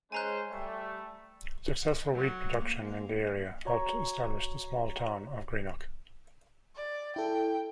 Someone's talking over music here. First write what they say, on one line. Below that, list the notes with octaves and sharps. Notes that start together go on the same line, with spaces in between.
Successful wheat production in the area helped establish the small town of Greenough.
G#3 C#4 C5 G#5 A#5 F#6
G3 A3
F#3
A#3
F#4 C#5 A#5 C#6
D5
E4 A4 G5